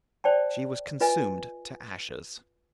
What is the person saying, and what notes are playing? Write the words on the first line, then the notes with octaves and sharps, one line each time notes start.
She was consumed to ashes.
C5 D5 G5 A5
F4 B4 D#5 G#5